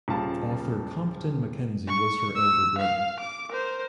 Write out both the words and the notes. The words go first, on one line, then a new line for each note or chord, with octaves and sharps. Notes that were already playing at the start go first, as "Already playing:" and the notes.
Author Compton Mackenzie was her elder brother.
D#1 C#3 F4 A5
C#6
E6
F5
D6
A#4 C5